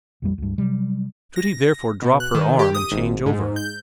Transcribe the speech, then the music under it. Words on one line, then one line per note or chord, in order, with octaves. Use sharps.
Should he therefore drop her arm and change over?
A#1 F2 G3
C#2 G2
C3 F#3 G3
A#6
B2
F#6
D#3
G4
D#6
G#1
G#2
G6